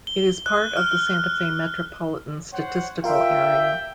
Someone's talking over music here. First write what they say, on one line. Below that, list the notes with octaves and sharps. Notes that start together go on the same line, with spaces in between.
It is part of the Santa Fe Metropolitan Statistical Area.
G7
F#6
F6
C5 C#5 F#5
F4 G4 A#4 E5 F5 G5